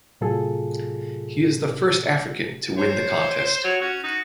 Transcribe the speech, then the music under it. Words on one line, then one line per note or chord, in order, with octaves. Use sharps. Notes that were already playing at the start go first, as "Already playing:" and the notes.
He is the first African to win the contest.
A2 C3 F#3 F4 G#4 A4
C5 C#5
F#3 C#5
C#4 F#4
D#4 F#4